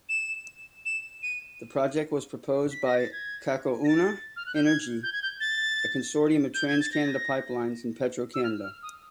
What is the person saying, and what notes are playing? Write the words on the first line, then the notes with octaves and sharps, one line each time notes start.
The project was proposed by "Cacouna Energy", a consortium of TransCanada Pipelines and Petro-Canada.
E7
E7
D#7
B6
A#6
A6
G#6
A#6
A6
F6
F#6
G6
G#6
G6
G#6
G6
A6
G6
G#6
A6
A#6
E6
F6
F6
D#6